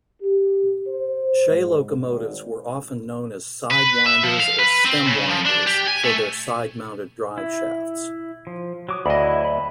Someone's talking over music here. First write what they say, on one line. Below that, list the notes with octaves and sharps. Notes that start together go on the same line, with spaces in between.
Shay locomotives were often known as "sidewinders" or "stemwinders" for their side-mounted drive shafts.
G4
C5
G#2
G#1
B4
E5
F3
F5
B4
C4
C#3
F3
D4
G4
G#5
A3
E4
F3
F#3 D6 D#6
D2 F#3 E4 D#5 B5
B5